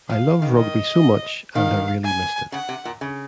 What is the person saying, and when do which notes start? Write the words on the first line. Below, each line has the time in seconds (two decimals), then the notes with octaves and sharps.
I love rugby so much and have really missed it.
0.10 F3 F5
0.42 D#3
0.58 D#5
1.55 D#3 F5
2.04 G#5
2.52 C#3 F#5
2.69 C3
2.85 A#2
3.01 C#3